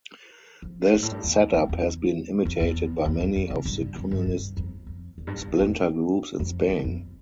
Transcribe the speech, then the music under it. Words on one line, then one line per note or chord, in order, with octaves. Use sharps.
This set-up has been imitated by many of the communist splinter groups in Spain.
F3
G2
A2
G2
E2
F2
E2
F2
E2
E2
F2
F2
C3
G2
F2
G2
G2
F2
F2
E2
G2
A2
F2
F2
E2
F2
E2
F2